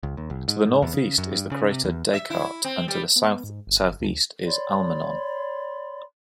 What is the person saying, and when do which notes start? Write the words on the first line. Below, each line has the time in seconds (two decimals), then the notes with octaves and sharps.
To the northeast is the crater Descartes, and to the south-southeast is Almanon.
0.03 C#2
0.17 D#2
0.30 C2
0.48 G#2
0.82 E2
0.94 C#3
1.18 F#2
1.32 G2
1.52 C#3
1.71 C3
1.84 E2
2.13 E5
2.30 E4
2.64 C4
2.88 G3
3.16 B3
3.44 G#2
3.67 G1
4.00 D2
4.47 C#5 D5 B5 C6